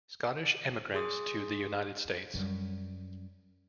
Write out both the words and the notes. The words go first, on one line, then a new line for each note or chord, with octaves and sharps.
Scottish emigrants to the United States.
G#4 C6 D#6
F#2 G3